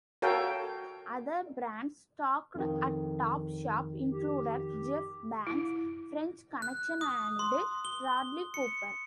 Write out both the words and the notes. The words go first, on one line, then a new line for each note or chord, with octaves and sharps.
Other brands stocked at Top Shop included Jeff Banks, French Connection and Radley Cooper.
F#4 A4 A#4 C#5 F5 G5
F2 D#3
G4
E4
F#6
D#6
C6
G7
C#7